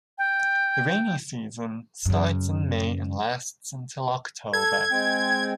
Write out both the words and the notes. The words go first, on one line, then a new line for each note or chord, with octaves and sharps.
The rainy season starts in May and lasts until October.
G5
F#2 C#3
A4 G#6
G#3 C4 G5